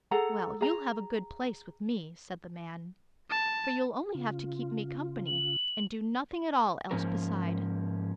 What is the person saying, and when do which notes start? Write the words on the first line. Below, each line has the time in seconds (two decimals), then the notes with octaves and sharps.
"Well, you'll have a good place with me," said the man; "for you'll only have to keep me company, and do nothing at all else beside."
0.11 G#4 A4 F#5 A#5
0.61 G#4 A#5
3.30 A5
4.14 C#3 F4
5.27 F#7
6.91 G#2 F3 A#3 C#4 A#4